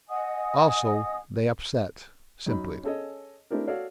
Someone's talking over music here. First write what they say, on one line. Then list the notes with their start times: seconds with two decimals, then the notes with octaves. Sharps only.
Also they upset--simply.
0.09 D#5 F#5 G#5 D#6
2.46 F#2 D#4 B5
2.83 C#4 G#4 A4 C#5 D#5
3.51 A3 C4 D4 E4 G4 A#4
3.67 F#4 A4 C#5 D5 F5